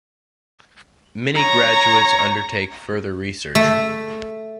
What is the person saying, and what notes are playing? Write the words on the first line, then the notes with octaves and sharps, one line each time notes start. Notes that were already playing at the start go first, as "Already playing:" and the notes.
Many graduates undertake further research.
C#5 A#5
A3